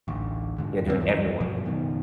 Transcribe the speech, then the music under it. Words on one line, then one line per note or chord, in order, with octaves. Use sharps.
you're doing everyone
A1 D2
G#2 D3
D#2 C#3 F3 C4
D2 G2 E3 F3
G2 B2 F3 F#3
F#1 B2 D#3